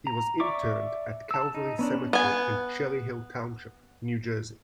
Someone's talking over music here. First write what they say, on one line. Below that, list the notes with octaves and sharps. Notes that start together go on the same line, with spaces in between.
He was interred at Calvary Cemetery in Cherry Hill Township, New Jersey.
A#5
D5 E5 C#6 D6
A5 E6
D#4
B3 C#4 D4
B3 G#5